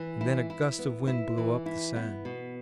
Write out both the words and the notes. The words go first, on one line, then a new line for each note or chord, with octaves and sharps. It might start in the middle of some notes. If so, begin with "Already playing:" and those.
And then a gust of wind blew up the sand.
Already playing: E3
E4
E4
B3
E4
E3
E4
B3
B2